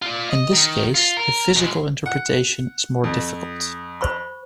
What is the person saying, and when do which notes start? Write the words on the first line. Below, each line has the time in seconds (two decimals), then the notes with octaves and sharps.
In this case, the physical interpretation is more difficult.
0.02 F4 D5
0.30 D#5
0.53 D#3
0.95 F4
1.17 A#4
1.56 B2 G#3
2.06 F#5
3.04 F2
4.01 C5 B5 C#6